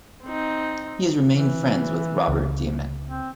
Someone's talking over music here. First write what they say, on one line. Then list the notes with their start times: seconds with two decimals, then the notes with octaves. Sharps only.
He has remained friends with Robert Diament.
0.24 C4 D#4
1.31 E3
2.28 C#2
3.07 C4